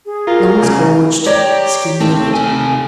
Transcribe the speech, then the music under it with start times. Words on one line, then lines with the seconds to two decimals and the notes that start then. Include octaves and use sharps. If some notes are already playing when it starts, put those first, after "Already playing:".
Lungs gorged, skin livid.
0.06 G#4
0.27 F4 A#4
0.59 C2 C#3
1.26 G4 C#5 D5 A#5
2.00 D#2 A3 C4
2.34 C3 G#5